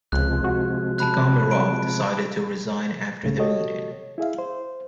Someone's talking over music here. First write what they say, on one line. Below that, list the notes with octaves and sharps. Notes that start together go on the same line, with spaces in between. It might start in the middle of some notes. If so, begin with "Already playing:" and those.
Tikhomirov decided to resign after the meeting.
C#2 C3 F3 G#3 F#6
F#4
A5 B5 F#6
D7
C2 G#2 C#3 A3
F#4 G4 A4 C#5 D#5
E4 G#4 E5 F5
C5